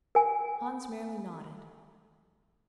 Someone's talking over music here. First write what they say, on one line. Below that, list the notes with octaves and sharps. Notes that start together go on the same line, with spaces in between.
Hans merely nodded.
A#4 G#5